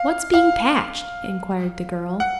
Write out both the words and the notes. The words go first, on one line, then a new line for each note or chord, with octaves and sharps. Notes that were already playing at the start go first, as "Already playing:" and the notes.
"What's being patched?" inquired the girl.
Already playing: F5
F5
F#5